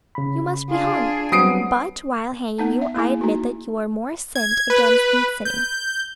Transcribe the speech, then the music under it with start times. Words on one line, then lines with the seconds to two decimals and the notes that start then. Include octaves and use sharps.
You must be hung. But, while hanging you, I admit that you are more sinned against than sinning.
0.15 C#3 B5
0.70 D4 F4 G#4
1.32 F#3 G3 B3 C4 D#6 C7 D7
2.58 B3 D#4 A5
2.81 E5
2.95 A#3 E4 G#4 G#5
3.21 D#4 F#4
4.36 G#6
4.70 B4
5.45 G6